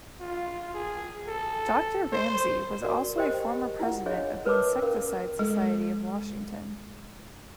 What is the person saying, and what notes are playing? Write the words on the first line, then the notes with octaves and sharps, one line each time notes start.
Doctor Ramsay was also a former president of the Insecticide Society of Washington.
F4
G#4
A4
C5
F#4 A#4 D5
G4 A#4 C5 D#5 G5 G#5
E4 F4 F#5
D4 F4 G#4 C#5 D#5 F5
A#4 B4 C#5 A5 D6 E6
C#4 A#4 F5
G#3 A4